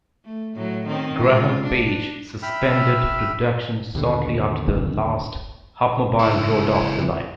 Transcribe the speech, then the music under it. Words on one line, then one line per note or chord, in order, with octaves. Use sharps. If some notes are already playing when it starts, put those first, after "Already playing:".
Graham-Paige suspended production shortly after the last Hupmobile rolled off the line.
A3
A2 F#3
D#3 C4 C#4
G#3 F4
D4
E5 G5 B5 E6 F6
D#2 B2 D3
C#2 E4